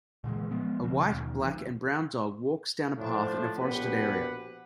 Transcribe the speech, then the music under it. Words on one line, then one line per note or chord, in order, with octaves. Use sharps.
A white, black, and brown dog walks down a path in a forested area.
A#2 D3 E3 G#3
F3 G#3 B3
D2 C#3 F3 C4
D#2 B2 D#3
A1 D#3 F3
A2 F3 D4
A#1 B2 B3 G4 B4 F#5